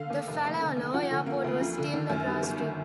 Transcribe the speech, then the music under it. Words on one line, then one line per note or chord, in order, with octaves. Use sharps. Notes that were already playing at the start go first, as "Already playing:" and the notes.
The Faleolo airport was still a grass strip.
Already playing: D3 F5
D#2
F1
F1
D3
D#2
F3 F#5
D3
A#3
D2
F3
D3
D#3
F#2
G3
G1
D#3